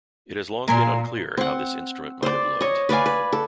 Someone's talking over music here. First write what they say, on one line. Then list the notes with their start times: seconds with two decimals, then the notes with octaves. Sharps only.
It has long been unclear how this instrument might have looked.
0.68 A#2 A#4 G#5 C6
1.37 C4 F#5
2.23 C5 D5
2.61 C#5 D#5
2.89 B4 D5 F5 G#5
3.06 B4
3.33 A4